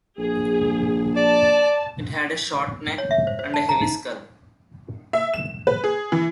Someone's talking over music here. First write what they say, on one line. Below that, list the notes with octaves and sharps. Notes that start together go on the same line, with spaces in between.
It had a short neck, and a heavy skull.
A#1 G#4
D5 A5
C#5
E5
C5
C5
A5
A#5
D#4
E5
E7
B4
G#4
E3